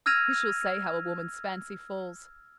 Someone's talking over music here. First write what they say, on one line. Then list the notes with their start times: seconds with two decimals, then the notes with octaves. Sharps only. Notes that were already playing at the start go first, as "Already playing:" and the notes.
Who shall say how a woman's fancy falls?
0.06 E6 F6 G#6 A#6 D#7 F7